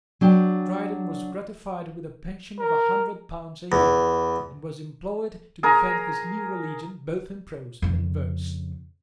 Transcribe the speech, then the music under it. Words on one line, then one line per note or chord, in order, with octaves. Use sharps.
Dryden was gratified with a pension of a hundred pounds a year, and was employed to defend his new religion both in prose and verse.
F#3 D4 G5
A#4
E2
G#4 A#4 A#5
F2 C#3